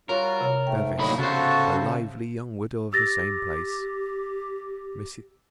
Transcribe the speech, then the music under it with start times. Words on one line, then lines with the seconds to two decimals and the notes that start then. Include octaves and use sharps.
BEVIS, a lively young widow of the same place. MRS.
0.09 G3 F4 F#4 A#4 C#5 A#5
0.41 C3 C#5
0.67 G#2 A3 G5
0.99 D#2 A2 D3 F#3 D#4 B5
1.18 C#3 F#4 A4 C5 A5
2.93 G4 E6 A6 A#6